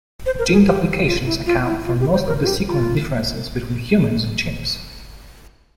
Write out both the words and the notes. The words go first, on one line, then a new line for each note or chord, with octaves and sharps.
Gene duplications account for most of the sequence differences between humans and chimps.
C5
A#4
G#4
G4
F4
E4
F4
E4
F4
G4
C5
A#4
F4
G4
F4